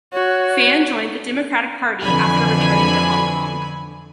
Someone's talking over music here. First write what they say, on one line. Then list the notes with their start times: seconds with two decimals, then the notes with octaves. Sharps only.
Fan joined the Democratic Party after returning to Hong Kong.
0.13 F#4 C#5
2.02 F2 D3 E3 G#5 B5